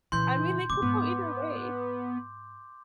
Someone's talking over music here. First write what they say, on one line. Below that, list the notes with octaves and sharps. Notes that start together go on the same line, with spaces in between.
I mean, they could go either way,
A#2 C#3 E3 C6 G6
C#3 A#3 D6
G#2 B3